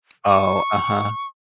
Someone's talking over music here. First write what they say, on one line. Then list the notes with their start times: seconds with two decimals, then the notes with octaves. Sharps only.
Oh, uh-huh.
0.24 C#6